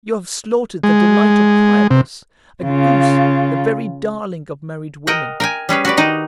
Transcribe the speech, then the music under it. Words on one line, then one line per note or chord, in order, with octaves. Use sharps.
You have slaughtered the delight of Priapus, a goose, the very darling of married women!
G#3
C3
C#3 F4
A#4 D#5 F#5 G5
A#4 G5 G#5
G3 C#4 G#4 B4
F#4 G4 B4 D5
D#3 D#4 D5 D#5